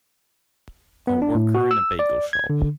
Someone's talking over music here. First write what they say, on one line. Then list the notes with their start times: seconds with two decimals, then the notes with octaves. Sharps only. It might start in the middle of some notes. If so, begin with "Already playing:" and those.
A worker in a bagel shop.
1.07 B3
1.22 D4
1.35 A2
1.55 F#4
1.71 E6
1.99 D5
2.33 G#6
2.50 D3